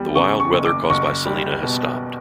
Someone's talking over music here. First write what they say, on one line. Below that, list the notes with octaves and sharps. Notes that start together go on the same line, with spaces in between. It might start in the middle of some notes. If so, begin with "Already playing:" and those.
The wild weather caused by Selena has stopped.
Already playing: E2 G3
C#3 C#6
C#6
F#1
D6
F#1 C#6
G3
B2